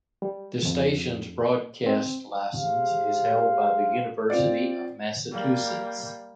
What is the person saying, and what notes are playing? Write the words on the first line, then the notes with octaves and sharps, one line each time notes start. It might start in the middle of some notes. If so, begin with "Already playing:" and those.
The station's broadcast license is held by the University of Massachusetts.
G3
F2
C4
G#3 G4 C5 F5
C4 F4 D5
G3 A#3